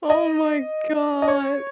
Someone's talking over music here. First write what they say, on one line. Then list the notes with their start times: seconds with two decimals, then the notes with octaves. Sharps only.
Oh, my god.
0.10 D#5
1.22 D#5
1.28 C#5